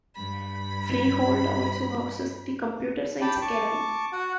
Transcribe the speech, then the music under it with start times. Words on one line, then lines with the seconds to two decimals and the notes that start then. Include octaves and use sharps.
Freehold also houses the Computer Science Academy.
0.14 G2 B5
3.21 G4 G5 A5 B5
3.41 A5 C#6 D6
4.12 F#4 F#5